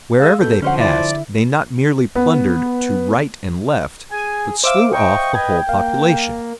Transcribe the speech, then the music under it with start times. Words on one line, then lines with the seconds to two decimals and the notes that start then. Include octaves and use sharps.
Wherever they passed they not merely plundered to right and left, but slew off the whole population.
0.20 G#3 F5 E6
0.41 B2 A4 G6
0.62 D3 F3 C#4 C5 F#5
0.80 E4 D5
2.16 B3
4.11 G#4 G#5
4.64 C5 E5 F5 D6 E6
4.93 D#5 G5 C#6
5.35 B4 D#5 G#6
5.69 A#3 F5